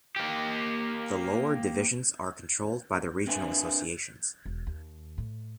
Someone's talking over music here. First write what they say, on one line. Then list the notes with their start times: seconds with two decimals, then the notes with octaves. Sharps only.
The lower divisions are controlled by the regional associations.
0.16 A#3 G4
3.27 C4 D4 A#4 B4 E5 G#5
4.46 E1
4.67 D#2
5.18 A2